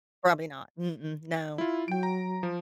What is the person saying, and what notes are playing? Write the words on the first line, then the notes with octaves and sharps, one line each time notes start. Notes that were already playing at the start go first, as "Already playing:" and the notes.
Probably not. Mm-mm, no.
E4 F4
F#3 G5 D7
A#5
F3